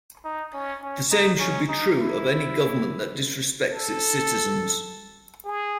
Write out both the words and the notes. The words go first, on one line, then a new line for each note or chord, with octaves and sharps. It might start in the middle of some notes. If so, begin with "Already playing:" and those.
The same should be true of any government that disrespects its citizens.
D#4
C#4
C#4
D#4
C#4
D#4
E4
A4
G#4